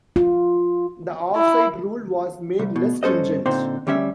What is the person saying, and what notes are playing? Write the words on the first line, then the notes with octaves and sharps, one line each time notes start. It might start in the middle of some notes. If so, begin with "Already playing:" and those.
The offside rule was made less stringent.
F4
E4
C2
B2
G2 C#4 A4 C5 D#5
A#2 D3 C4 D#4 C5
D2 G3 C#4 E5